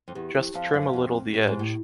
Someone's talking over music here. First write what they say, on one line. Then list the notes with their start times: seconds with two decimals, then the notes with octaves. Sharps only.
Just trim a little the edge.
0.08 F2
0.15 E2 G4
0.35 F2
0.54 F2 C5 F5 A5
0.74 F#2
0.93 F2 C4
1.33 A2 E4 G4
1.47 G#2
1.59 A2